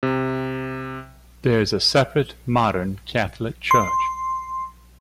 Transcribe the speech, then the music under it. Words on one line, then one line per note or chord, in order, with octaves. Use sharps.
There is a separate, modern Catholic Church.
C3
C6